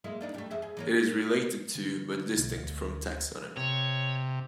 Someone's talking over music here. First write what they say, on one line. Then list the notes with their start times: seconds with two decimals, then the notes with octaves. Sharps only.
It is related to, but distinct from taxonomy.
0.04 G#3 A#3 E4
0.21 A#3 D4 D#4
0.34 G3 A3
0.51 F2 G#4 E5
0.62 G#4
0.77 E3 A#3 C#4
1.75 D3
2.38 B1
2.57 D2
3.57 C3 C#5